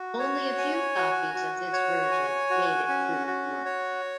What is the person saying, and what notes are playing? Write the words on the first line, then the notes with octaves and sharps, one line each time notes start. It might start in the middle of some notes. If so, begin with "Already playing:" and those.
Only a few copies of this version made it to the market.
Already playing: F#4
C#5
G#5
F#4
F#4
C#5
G#5
F#4
C#4
F#4
C#5